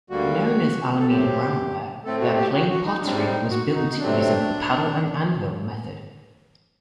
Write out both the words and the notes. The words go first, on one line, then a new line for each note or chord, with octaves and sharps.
Known as Alameda Brown Ware, their plain pottery was built using the paddle-and-anvil method.
D2 D3 G3 A#3 F#4
A4
D2 C3 F#3 C4 G4
A2 A3 C4 A4
F#4
G4
F#4
F#4
D#4
A2 G3 C4 D4
D4
D#4
F#4
F#4
D#4
C3 F#3 A3 C4 D4